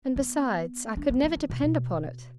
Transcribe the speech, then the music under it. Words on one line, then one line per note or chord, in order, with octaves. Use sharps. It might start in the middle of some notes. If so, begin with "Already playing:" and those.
And besides, I could never depend upon it.'
B3
D4
B3
F3
D#3
B2
B2